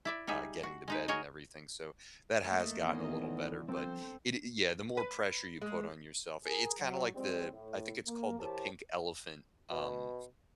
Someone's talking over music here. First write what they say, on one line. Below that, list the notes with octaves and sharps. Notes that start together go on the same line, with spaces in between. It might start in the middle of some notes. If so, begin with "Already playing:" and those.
uh, getting to bed and everything so that has gotten a little better, but it e yeah, the more pressure you put on yourself i it's kinda like the I think it's called the pink elephant, um,
E4 D5 E5
G3 D#4 G#4 E5
F#4
G#3 D#4 B4
F#4 G#4 A#4 C#5 D#5
A3 A#3 D#5
E2 A2 D#3 B3
F3 C4 A4 C5
B4
G#3
G#4 A#4
F#3
F3 G3 G#3 C4
A2
A#3
E3 G4 A#4 C5 C#5 A5
B2